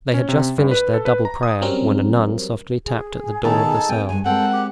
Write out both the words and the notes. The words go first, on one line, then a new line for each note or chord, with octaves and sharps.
They had just finished their double prayer, when a nun softly tapped at the door of the cell.
C#4
C3
G2
B4
A4
B4
A#5
D#6
F#3 G3 C4 C#4 A#4
G#4
B2 D#3 B3 D#4 A4 A5
A#3 C4 G5 G#5
E2 G2 G#5
G#3 C4 A4 A#4 F#5 G5
G4